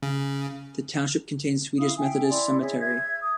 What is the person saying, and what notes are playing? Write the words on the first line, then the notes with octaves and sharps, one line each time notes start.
The township contains Swedish Methodist Cemetery.
C#3
E4 F5 D#6
E5 G5 G#5
E4 D5 C6
G#4 C#5 E5
E5 G#6
D#6